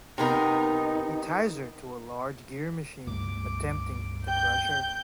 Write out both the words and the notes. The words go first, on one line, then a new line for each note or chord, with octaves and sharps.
He ties her to a large gear machine, attempting to crush her.
C3 B3 D#4 A#4
C#2 G2 A3 D6
G5 G6